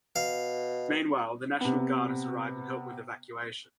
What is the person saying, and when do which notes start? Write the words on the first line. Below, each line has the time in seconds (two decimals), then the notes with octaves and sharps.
Meanwhile, the National Guard has arrived and helped with evacuation.
0.16 B2 F5
1.61 C3 B3